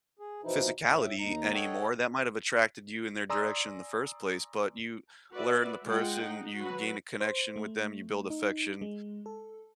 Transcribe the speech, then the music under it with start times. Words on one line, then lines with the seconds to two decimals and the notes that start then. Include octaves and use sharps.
physicality anymore. That might have attracted you in their direction in the first place, but you learn the person, you gain a connection with them, you build affection,
0.19 G#4
0.43 B2 E3 F3 D#4 E4
0.84 A2 E5
1.20 D#2 D#4 A#5
1.53 A4 C#5 D#5 F#5 G5
3.30 D5 G#5 A#5 C6 D#6 E6
5.35 F#4 B4 D5 E5
5.86 G#3 F4 F#5 G5
6.26 D#4
6.61 F#3 F#4 B4
7.20 C5
7.56 A3
8.30 D#4
8.82 G#3
9.26 A4